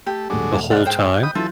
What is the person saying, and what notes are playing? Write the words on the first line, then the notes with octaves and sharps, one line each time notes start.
The whole time?
A3 G4
D#1 F#3 G#3 D4 A4
G#2 C3 D5 F6 F#6
G#2 C5 G5
D#5 B5 D#6 G6
E3 F#3 E4 F4 A4